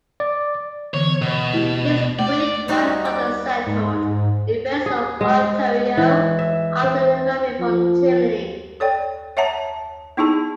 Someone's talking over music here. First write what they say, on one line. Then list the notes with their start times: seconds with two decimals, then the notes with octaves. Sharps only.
His great-grandfather settled in Breslau, Ontario after arriving from Germany.
0.20 D5
0.94 D3 E3 B3 C#5
1.22 B2
1.53 A3 E4 G4
2.19 A3 D5
2.68 G3 D#4 F#4
3.05 D5
3.66 G#2
4.86 G#4
5.21 G#3
5.97 E3
6.39 E5
6.83 C4
7.60 F3
8.80 A4 C#5 D5 G5
9.37 C#5 E5 F#5 A5 A#5
10.17 B3 D#4 E4 G#4 A5